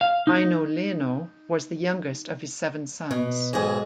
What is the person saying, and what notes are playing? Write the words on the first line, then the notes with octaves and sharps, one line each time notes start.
Eino Leino was the youngest of his seven sons.
F5
D#4
B2
B1 G#2 G#4 D#5